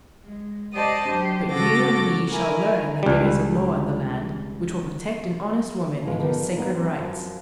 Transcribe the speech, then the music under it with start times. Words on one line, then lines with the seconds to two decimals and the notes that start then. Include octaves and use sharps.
But you and he shall learn that there is a law in the land which will protect an honest woman in her sacred rights.
0.24 G#3
0.74 G4 C5 D5 D#5 A5 D#6
1.06 F#3 D4 G4 C5
1.50 C#3 C#4 F#4 A4 D6 A#6
2.30 E4 A#4 G#5
3.03 C#2 G3
6.04 G#2 B2 E3 G#3 C#4 F4
6.19 F3 B3 D#4 G4 A#4
6.56 D#3 G3 A#3 B3 D4
6.75 F#3 G3 B3 C4 D#4
6.98 F#2 F3